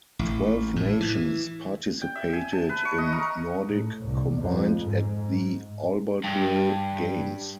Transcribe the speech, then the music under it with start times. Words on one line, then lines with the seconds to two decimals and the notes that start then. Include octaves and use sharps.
Twelve nations participated in Nordic combined at the Albertville Games.
0.19 A1
0.76 A2
1.00 E3
2.02 G5
2.16 E5
2.33 G#5
2.53 A5
2.69 B4
2.85 C#6
2.98 D#5
3.13 A#4
3.68 A2
4.05 C2
4.40 F2
4.83 G#2
6.24 G2